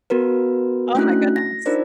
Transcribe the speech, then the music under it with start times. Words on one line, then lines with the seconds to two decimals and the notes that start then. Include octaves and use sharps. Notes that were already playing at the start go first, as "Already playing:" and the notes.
Oh my goodness.
0.10 B3 F#4 A#4 B4
0.95 A3 C#4 D4 E4 F#4 F#6
1.36 A#6
1.66 D4 D#4 F4 A#4 C5 D5